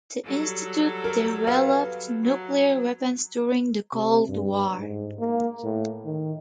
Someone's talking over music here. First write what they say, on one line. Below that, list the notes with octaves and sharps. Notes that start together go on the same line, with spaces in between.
The institute developed nuclear weapons during the Cold War.
F#3 G3 A4
A#4
B3 F5
F#3
C3
G2
G#2
A#3
A2
D#3